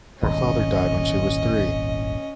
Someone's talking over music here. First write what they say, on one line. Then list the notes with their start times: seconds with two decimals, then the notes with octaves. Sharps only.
Her father died when she was three.
0.23 D#1 G#1 E2 C#4 D#5